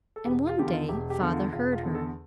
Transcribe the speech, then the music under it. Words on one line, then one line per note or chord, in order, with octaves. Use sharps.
And one day father heard her.
A4
E1 G4
F4
E2 D3 G4
F4
E1 G4
G4
E2 D3
F4
E1 F4
F4
E2 D3
A4